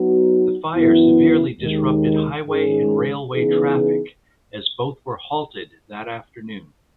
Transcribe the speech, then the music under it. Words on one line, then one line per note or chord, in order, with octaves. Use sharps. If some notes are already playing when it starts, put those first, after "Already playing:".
The fire severely disrupted highway and railway traffic as both were halted that afternoon.
Already playing: F#3 B3 D#4 F#4
F#2 E3 B3 E4
D#2 D#3 G#3
G#2 D#3 G#3 C#4 G#4
C#3 E3 B3 D#4 G#4